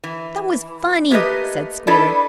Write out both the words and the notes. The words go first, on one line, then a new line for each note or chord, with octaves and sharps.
"That was funny," said Squealer.
E3
A3 A#3 G4 A4 B4 D#5
D4 E4 A4 B4 D5 D#5